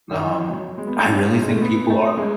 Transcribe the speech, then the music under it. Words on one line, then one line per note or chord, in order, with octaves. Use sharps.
Um, I really think people are
D#3
E3
F#3
G#3
B3
A3
C#4
G#3
A3
B3
A3
G#3